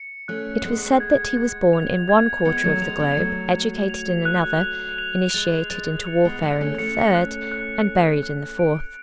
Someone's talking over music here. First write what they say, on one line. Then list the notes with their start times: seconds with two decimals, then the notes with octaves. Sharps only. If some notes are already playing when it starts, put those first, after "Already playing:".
It was said that he was born in one quarter of the globe, educated in another, initiated into warfare in the third and buried in the fourth.
Already playing: C#7
0.28 A3 C#4 F#6
0.65 G#3 B3 C#7
1.00 G#6
1.37 G#6
1.73 F7
2.09 G#6
2.45 G#3 B3 C#7
2.63 F#3 A3
2.81 G#3 B3 F7
2.99 B3 D4
3.17 F#3 A3 F7
3.54 G#6
3.90 F7
4.25 F#6
4.62 F7
4.98 F7
5.34 G#3 A6
5.70 G#3 A6
6.07 C#7
6.25 G#3 B3
6.42 G#3 B3 C#7
6.61 A3 C#4
6.78 A3 C#4 C#7
7.15 F#6
7.51 F#6
7.87 C#7
8.23 F#6
8.59 D7